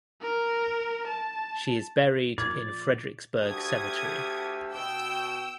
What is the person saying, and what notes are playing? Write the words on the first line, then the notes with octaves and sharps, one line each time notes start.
She is buried in Frederiksberg Cemetery.
A#4
A5
A#2 D5 G#6
D2 G4 A4 D#6 G#6
B2 G5 E6